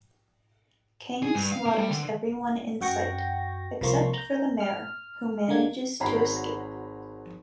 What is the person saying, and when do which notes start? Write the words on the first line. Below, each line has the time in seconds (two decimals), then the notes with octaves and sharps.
Cain slaughters everyone in sight, except for the mayor who manages to escape.
1.23 G#4
1.35 G2
1.52 F5
1.66 A#3
1.78 G3
1.90 D3
2.81 F#2 F#4 G5 C#6 A#6
3.81 C2 F3 A#3 C6 C#6
4.13 A#5 G6
4.60 F6
5.48 D3 G#3 A#3 G#6
6.00 G#1 F#4 C#5 A#5 B5 C7